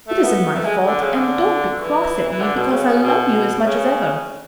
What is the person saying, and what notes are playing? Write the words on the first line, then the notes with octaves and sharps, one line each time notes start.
It isn't my fault and don't be cross at me, because I love you as much as ever.
A3
B3
A3
G#3
D3
C#3
D3
E3
E3
D3
B2
C#3
B2
C#3